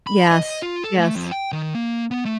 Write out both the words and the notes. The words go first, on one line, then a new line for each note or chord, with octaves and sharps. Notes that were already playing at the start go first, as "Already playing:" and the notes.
Yes, yes.
B5
D#5
F4
A4
A3
F2
G5
D#3
A#3
B3
A3